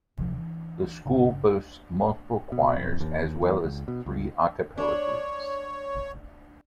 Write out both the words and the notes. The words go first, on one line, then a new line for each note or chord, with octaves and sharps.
The school boasts multiple choirs, as well as three a cappella groups.
D2 C3 E3 F3
E3
G1 C#3
B2
F2
D#2
E2
C#2
B2
C#2
D4 C#5